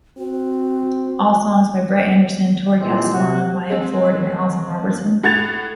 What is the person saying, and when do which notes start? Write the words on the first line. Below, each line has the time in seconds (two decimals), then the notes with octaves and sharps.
All songs by Brett Anderson, Torry Castellano, Maya Ford and Allison Robertson.
0.18 C4 F#4
2.81 A#2 E3 G#3 C4 G4
3.13 C3 F#4
3.70 G#3 C4
5.23 A2 F#5 G#6 A6 F7